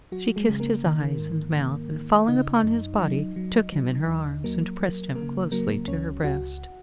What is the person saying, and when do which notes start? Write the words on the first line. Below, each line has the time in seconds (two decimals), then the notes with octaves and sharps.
She kissed his eyes and mouth, and falling upon his body, took him in her arms, and pressed him closely to her breast.
0.12 F#3 F#4
0.36 G#3 G#4
0.49 C#3
0.60 A#3 A#4
0.85 D#3
1.20 G#2
1.57 D#3
1.93 D#3
2.28 C#3 D#4 D#5
2.64 F#2
3.00 F#3
3.36 F#3
3.72 F#3
4.07 D#2
4.44 F#3 A#3 A#4
4.80 F#3
5.15 C#3 A#3 A#4
5.52 F#3 A#3 A#4
5.87 C#2 C#4 C#5
6.24 C#2 F#4 F#5